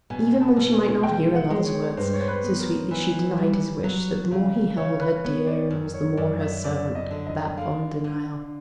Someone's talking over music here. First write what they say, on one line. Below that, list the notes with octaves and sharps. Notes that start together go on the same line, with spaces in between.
Even when she might not hear a lover's words, so sweetly she denied his wish that the more he held her dear and was the more her servant for that fond denial.
B2 G#5
A5
B2
G#5
G#3 G5
F#5
G#3
C#5
G2 C5
C#5
C5
B4
B3
A#4
E3
G3
F#3
C#3
C#3 C#5
B4
B3 C#5
D5
F#2
C#5
F#2 D5
E5
F#2 D5
D#5
D3
D#5
D3 F5
D3